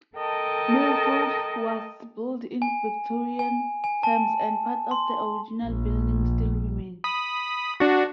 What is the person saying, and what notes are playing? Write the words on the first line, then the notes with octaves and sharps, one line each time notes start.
Millfield was built in Victorian times and part of the original building still remains.
A4 A#4 D#5 G5 A5
G#5
G#5
G#5
A5
C6
A#1
B5 D#6 B6
D4 F#4